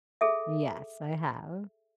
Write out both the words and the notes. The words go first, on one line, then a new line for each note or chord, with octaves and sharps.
Yes, I have.
G#4 A4 E5